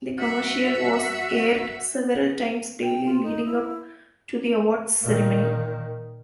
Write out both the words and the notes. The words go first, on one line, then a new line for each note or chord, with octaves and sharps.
The commercial was aired several times daily leading up to the awards ceremony.
F#4 E5
G5
F4
D#4
E4
A#2 D#3